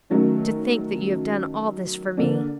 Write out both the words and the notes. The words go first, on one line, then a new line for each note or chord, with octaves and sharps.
"To think that you have done all this for me."
D#3 F#3 A3 C#4
D3 A#3 D4